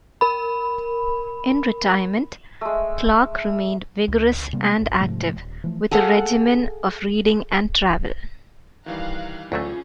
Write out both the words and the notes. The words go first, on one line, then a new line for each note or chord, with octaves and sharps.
In retirement Clarke remained vigorous and active with a regimen of reading and travel.
A#4 B5
G#3 A3
C#2
C3 G3 A#3 B3
D#1 G#1
G#2 C3 F3 A3
D#1
E3 F3 A3
G#4 A4 F5 F#5
D#3 E3 G3 F5 A#5 F#6
D2 F#3 A3 C#4 F4 G#4